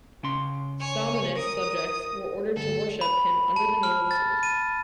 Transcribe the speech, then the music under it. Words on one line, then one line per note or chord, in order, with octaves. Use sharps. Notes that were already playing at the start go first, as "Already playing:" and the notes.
Salmoneus' subjects were ordered to worship him under the name of Zeus.
C#3 C#4 C6
C#5 G#5
A#4 D#6
D2 G2 A4
B5
A5
F6
A6
D#7